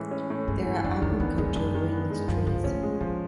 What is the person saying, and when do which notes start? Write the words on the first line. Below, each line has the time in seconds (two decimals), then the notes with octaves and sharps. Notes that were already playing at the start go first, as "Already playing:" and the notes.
There are agricultural industries.
Already playing: A2 E3 G#3 C#4
0.11 C#4
0.30 A2
0.48 G2 G#3
0.65 E3
0.84 F2 D4
1.02 F2 D#3
1.20 E2 B3
1.38 F2 G#3
1.56 F#2 D4
1.75 D#3
1.92 B3
2.10 G#3
2.28 F#2 F3
2.47 G#2 F3
2.64 A2 C#4
2.83 G#3
3.00 A#2 F3